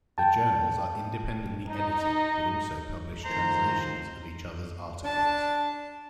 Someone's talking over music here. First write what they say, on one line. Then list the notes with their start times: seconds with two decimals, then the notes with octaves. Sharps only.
The journals are independently edited, but also publish translations of each other's articles.
0.18 G5 A5
1.70 D#4
3.25 F2 A2 D#3 C5 A#5
5.04 D4 A5